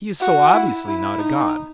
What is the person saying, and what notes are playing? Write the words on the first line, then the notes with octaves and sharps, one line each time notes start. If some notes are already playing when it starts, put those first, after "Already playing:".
He is so obviously not a god.
F#4
E4
E4
D#4